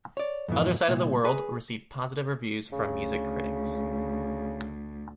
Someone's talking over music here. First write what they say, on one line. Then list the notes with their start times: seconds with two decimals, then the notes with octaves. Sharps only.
"Other Side of the World" received positive reviews from music critics.
0.17 C#5 D5
0.48 F2 G#2 B2 E3
0.88 C2 A#2
1.25 G#4 B4
2.73 D2 C#3